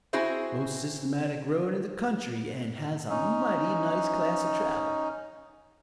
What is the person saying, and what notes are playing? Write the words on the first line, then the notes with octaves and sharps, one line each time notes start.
Most systematic road in the country and has a mighty nice class of travel.
C4 E4 F#4 G#4 C5 E5
C#4 D#4